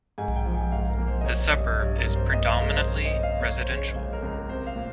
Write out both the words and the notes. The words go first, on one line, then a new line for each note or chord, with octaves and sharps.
The suburb is predominantly residential.
G#2 G#5
G5
F3
G#5
G#2 F5
A#4
A#3
C5
D#5
A#3 C#5
G2 D#5
G2 C#5
A#4
G2
C5
D#2 D#5
F5
G#3 A#4
C5
C#3 C#5
D#5
D#2
F5
A#3 C#5
C5
C#3
C#5
C#2 F5
A#4
C#2
A#4
C2 C5
F5
A#2